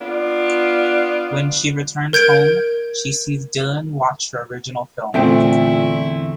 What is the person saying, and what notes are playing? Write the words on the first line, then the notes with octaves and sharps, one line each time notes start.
When she returns home, she sees Dylan watch her original film.
B3 D4 F4
A#4 G6 G#6 D7
E2 A#2 D3 A3 C4 E4 G5